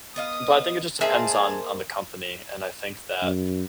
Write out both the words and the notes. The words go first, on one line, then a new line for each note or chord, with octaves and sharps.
but I think it just depends on on the company and I think that
B3 D#5 F5 D#6
A#3 D#4 G#4 C5 E5 A5
F#2